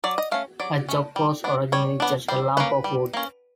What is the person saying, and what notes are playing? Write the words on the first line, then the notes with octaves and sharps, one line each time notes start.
A "chock" was originally just a lump of wood.
F#3 D5
D#5
A3 C#4 F5
F#3 D5
A3 C#4
G3
B3 D4
G3 C#5
B3 D4
G3 C5
A#3 C#4 B4
G3
A#3 C#4